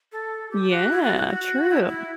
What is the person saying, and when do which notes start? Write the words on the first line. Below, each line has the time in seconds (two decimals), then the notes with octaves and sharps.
Yeah, true.
0.12 A4
0.51 G4
0.70 F#4
0.91 E4
1.03 F#4
1.16 F#4
1.30 F#4
1.70 E4
1.88 E4